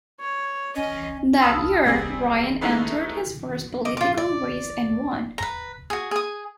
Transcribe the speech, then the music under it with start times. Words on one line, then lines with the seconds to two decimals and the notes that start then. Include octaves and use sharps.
That year, Ryan entered his first political race and won.
0.19 C#5
0.75 C#4 D#5
1.42 F5 A5 B5 D#6 E6
1.85 C3 G3 C4 G#4
2.61 G#3 A3 B3 C#4 D#4 E4
3.85 D#5 D6
3.97 F4 D6
4.18 D5
5.38 B4 A#5
5.90 F#4 G#4
6.11 G#4 D#6